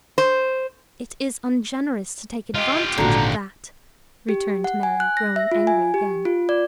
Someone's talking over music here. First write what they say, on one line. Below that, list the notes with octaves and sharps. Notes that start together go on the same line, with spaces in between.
"It is ungenerous to take advantage of that," returned Mary, growing angry again.
C5
F4 G4 D#5
G#1 A#2 D3 F#4 A#5
G4
F#5
G#5
F#6
A#6
E5
F4
G#5
G4
F4
D5